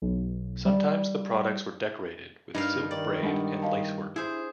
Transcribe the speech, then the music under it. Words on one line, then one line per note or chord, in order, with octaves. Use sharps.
Sometimes the products were decorated with silk braid and lacework.
B1
G3
G2 D#4 A#4 F5
D#3 D5
G3 G#3 D4 A4 F#5
D#5 F5 A5
E4 G#4 C5